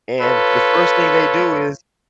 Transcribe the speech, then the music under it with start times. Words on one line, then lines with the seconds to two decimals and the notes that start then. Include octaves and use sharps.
and the first thing they do is
0.21 F4 A4 B4 C#5